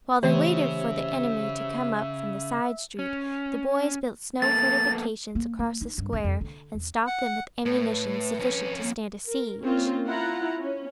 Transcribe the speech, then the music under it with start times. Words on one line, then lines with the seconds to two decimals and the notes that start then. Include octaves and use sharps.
While they waited for the enemy to come up from the side street, the boys built snow fortifications across the Square and stocked them with ammunition sufficient to stand a siege.
0.23 C#3 E3 A3 G4 C5 C#5 E5
2.99 C#4
4.42 A#3 B3 A4 A6
5.35 A#3
5.59 A#3
5.81 D#4
5.98 G2
6.13 F2
6.24 F2
6.41 D3
6.75 E2
7.07 F#5
7.66 A2 B4
8.40 F2 C#4
8.81 A#3
9.28 A#4
9.64 A#3 C4 C#4 F4
10.07 E4 F4 F#5 A#5
10.61 C#4